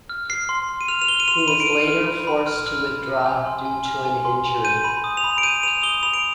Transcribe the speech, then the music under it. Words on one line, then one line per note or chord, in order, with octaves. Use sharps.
He was later forced to withdraw due to an injury.
F6
F6 C7
C6
C6
D#7
F6 F7
F7
F6 G7
D#7
C6 F7
B5 D#7
D7
F6
D#7
F6
B5
B5
F6
F6
B5
F6
G#5
C6
G#5
F6
G#5
C6
G#5
G6 D#7
B5
D#6
F7
B5
D7
G6 D#7
B5 F7
D#6 G7
B5 F7
D7